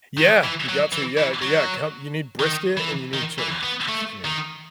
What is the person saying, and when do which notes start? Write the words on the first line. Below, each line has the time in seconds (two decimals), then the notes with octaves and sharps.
Yeah, you got to, yeah yeah, come you need brisket and you need chili. That's what you need.
0.18 D#3
0.44 E3
0.69 F#3
0.92 E3
1.17 E3
1.42 F#3
2.40 D#3
2.77 E3
3.14 D#3
3.39 E3
3.63 B3
3.88 A3
4.25 D#3